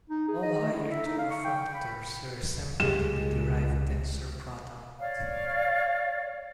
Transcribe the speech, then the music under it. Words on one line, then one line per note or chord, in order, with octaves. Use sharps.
All higher Tor functors are assembled in the derived tensor product.
D#4
G#4
D#5
A3
E4
E5
D#4
F5
C#6
G5
B5
C#2 G#3 G4 E7
C#5 D5 F5